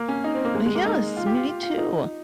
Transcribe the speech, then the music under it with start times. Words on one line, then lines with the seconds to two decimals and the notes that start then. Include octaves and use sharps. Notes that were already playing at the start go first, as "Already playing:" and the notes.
Ah, yes, me too.
Already playing: A#3
0.08 C#4
0.24 D#4
0.35 C4
0.45 A#3
0.55 G#3
0.66 G#3
0.75 A#3
0.86 D#4
1.17 F4
1.26 G4
1.37 F4
1.47 F4
1.63 F4
1.78 D#4